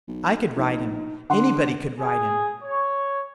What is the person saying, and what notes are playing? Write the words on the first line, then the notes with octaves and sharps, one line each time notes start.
I could ride him; anybody could ride him.
B1
A#1 D#4
D3 F#5 C6
G#4
C#5